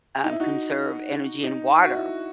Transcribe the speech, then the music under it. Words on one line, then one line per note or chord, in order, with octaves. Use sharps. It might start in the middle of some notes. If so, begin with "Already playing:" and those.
um, conserve energy and water,
D#4
E4
D#4 F#4
D#4
F#4
E4